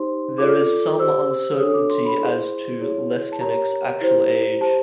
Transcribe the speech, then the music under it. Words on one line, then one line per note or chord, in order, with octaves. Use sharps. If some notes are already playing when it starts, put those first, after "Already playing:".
There is some uncertainty as to Leskanic's actual age.
Already playing: D#4 G4 C5 C6
F4 A4 D5 D6
G4 C5 E6
D4 F#4 A4 C#5 D#6
D6
C6
B5
E4 G#4 C5 C6
E4 G#4 C#5
A5
G4 A#4 C#5 A#5
E4 G4 C5
G4 C5 A5